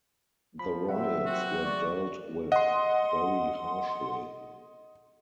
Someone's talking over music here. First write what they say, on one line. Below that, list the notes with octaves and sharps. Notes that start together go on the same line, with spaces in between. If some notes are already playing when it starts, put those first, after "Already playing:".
The riots were dealt with very harshly.
F3 B5
F#3 C4 E5 F#5
C4 F#4
D5 C#6
D#5 F#5 C6